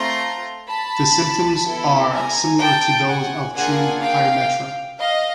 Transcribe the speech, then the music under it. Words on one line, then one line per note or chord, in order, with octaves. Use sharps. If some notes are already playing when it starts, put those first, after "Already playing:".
The symptoms are similar to those of true pyometra.
Already playing: A3 C4 F4 A#5 C6
A5 B5
B3 E4 A4
G#5 A#5
G5 A5
F#5 G#5
A#3 D4 F4 G#4 F#5 G#5
F5 G5
D#5 F5